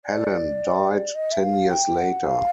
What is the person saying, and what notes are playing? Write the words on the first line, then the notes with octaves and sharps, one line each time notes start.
Helen died ten years later.
D5
D#5
E5
F5
G5
F#5
F5